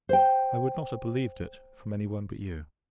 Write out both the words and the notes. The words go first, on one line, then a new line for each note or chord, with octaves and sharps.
I would not have believed it, from any one but you!
C5 G5